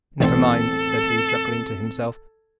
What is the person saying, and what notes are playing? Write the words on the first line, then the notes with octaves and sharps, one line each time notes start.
"Never mind," said he, chuckling to himself.
B1 E2 A2 C4 A4